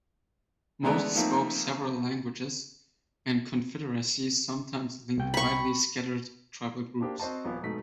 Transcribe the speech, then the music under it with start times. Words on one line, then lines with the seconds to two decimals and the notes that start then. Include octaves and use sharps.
Most spoke several languages, and confederacies sometimes linked widely scattered tribal groups.
0.83 D3 E3 G#3 A3 B3 D4
1.15 D#3 F3 A3 A#3 C4 D#4
5.18 C2 G5
5.34 B5 C#6
7.01 A#3 D4 G4 C5 G5
7.20 C4 F#4 C5 D#5 A5
7.45 D#1 F3 B3
7.62 F1 G#2 B2 A3 D#4 B6